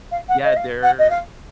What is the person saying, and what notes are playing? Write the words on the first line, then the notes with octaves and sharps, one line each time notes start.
Yeah. There
F5
F#5
D#5
F5
F#5
D#5
F5